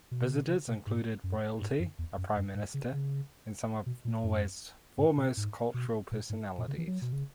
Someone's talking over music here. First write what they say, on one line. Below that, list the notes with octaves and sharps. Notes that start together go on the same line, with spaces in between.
Visitors included royalty, a prime minister, and some of Norway's foremost cultural personalities.
B2
C#3
B2
C#3
B2
G#2
F#2
G#2
F#2
E2
F#2
F#2
G#2
C#3
C#3
B2
A#2
F#2
G#2
B2
G#2
B2
A#2
G#2
A#2
C#3
E3
F#3
B2
C#3